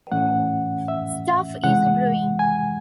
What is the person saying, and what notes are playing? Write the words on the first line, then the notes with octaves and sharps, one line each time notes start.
Stuff is a-brewin'.
A2 E3 A3 C#4 F#5
E5
C3 E3 G#3 F#5
G#5